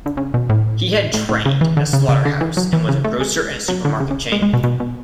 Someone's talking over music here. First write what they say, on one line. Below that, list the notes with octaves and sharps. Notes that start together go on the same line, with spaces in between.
He had trained in a slaughterhouse and was a grocer in a supermarket chain'.
D3
C#3
B2
A2
A2
A2
C#3
E3
D3
C#3
C#3
D3
E3
F#3
E3
C#3
A3
G#3
F#3
D3
C#3
C#3
G#3
G#3
B2
B2
B2